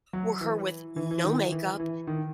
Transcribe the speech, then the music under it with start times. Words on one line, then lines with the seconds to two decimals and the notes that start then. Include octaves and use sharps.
were her with no makeup,
0.13 F#3
0.41 E3
0.96 E3
1.11 E3
1.24 D#3
1.38 E3
1.52 E3
1.80 E3
2.07 D#3